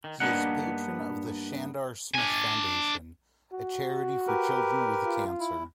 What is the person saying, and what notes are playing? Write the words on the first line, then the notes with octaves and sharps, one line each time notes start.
He is patron of the Shandar Smith Foundation, a charity for children with cancer.
D#3
G2 A#3 B3 D4 D#4 F#5
D4 G#5
F#4
G4 A#4 B4
F4
E4